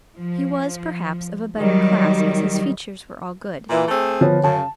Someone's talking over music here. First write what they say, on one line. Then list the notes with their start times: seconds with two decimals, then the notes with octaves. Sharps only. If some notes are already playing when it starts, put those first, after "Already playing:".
He was, perhaps, of a better class, as his features were all good.
0.18 F3
1.58 D#3 F#3 G3
3.70 A#2 E3
3.88 A3 C4 G#4
4.21 D3 F3 B3 C#5
4.44 F#2 C#3 A5